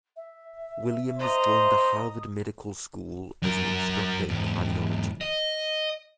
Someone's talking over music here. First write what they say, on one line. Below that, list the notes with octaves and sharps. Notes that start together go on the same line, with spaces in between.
Williams joined the Harvard Medical School as an instructor in cardiology.
E5
C5 D#5 A#5
D#6
F#3 A#4
E2 G#2
D#5